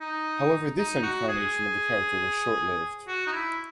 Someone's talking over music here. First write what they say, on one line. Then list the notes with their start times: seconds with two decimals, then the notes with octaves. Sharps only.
However, this incarnation of the character was short-lived.
0.01 D#4
0.78 D#4
1.03 F#4
1.29 G#4
3.07 F#4
3.27 D#4
3.32 E4